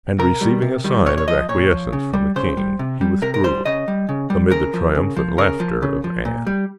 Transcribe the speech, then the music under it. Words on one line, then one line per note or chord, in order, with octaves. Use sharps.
And receiving a sign of acquiescence from the king, he withdrew, amid the triumphant laughter of Anne.
C3 A#4
D#3 G3
C3
D#3 G3
A#2 C#5
C#5
F3 D#5
A#2 C#5
F3
C#3
G3
C#3 C5
G3
C3
G3
C3 A#4
A#4
G3 C5
C#3 D#5
G3
C#3
G3
C#3 A#4
F3
C#3
F3
C#3 A#4
F3
C#3
F3
A#2
G3